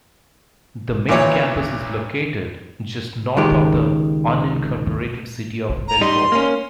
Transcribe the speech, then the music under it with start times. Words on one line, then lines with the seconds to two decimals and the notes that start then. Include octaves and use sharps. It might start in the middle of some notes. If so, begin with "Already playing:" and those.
The main campus is located just north of the unincorporated city of Belcourt.
1.09 B1 A#2 E3 C#5
3.36 C#2 D#3 G#3 G4
5.88 A#5
6.01 G3 D#4 C6
6.32 A#3 C#4